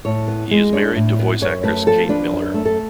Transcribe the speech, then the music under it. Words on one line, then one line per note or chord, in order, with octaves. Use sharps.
He is married to voice actress Kate Miller.
A2 C#5
B3
G#3
D4 C#5
A2
B3
F#2 C#5
A3 B4
F3 A4
D4 B4
F#2
A3
A4